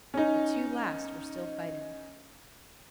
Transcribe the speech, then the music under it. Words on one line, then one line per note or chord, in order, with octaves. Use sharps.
The two last were still fighting.
C#4 D#4